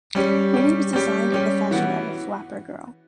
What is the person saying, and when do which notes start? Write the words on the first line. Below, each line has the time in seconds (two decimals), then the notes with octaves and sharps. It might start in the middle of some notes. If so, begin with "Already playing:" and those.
Minnie was designed in the fashion of a "flapper" girl.
0.15 G3 C#4 G4
0.54 G3 C#4 G4
0.93 G3 C#4 G4
1.32 G3 C#4 G4
1.71 E3 B3 F#4